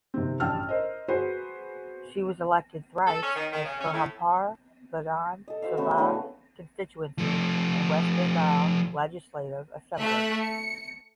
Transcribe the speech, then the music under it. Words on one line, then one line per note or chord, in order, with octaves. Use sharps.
She was elected thrice as Berhampore Vidhan Sabha Constituency in West Bengal Legislative Assembly.
C3 D#3 C4
A1 G2 G5 A5 E6 F6
A#4 C5 D#5
F#4 G#4 B4 C5
A4
C#4
D#3
D#3
C#3
C#4
A2
A4 D#5
F#4 C5 E5 F5
C#3 A3 B3
A2 D3 B4 G#5
F3 A3
A3 E5 F#6
C#7